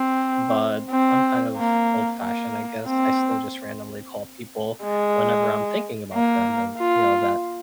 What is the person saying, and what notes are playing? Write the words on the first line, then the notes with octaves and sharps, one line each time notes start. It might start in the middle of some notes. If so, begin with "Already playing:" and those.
but I'm kind of old-fashioned, I guess. I still just randomly call people whenever I'm thinking about them and, you know, that
Already playing: C4
C4
A#3
A#3
C4
G#3
A#3
F4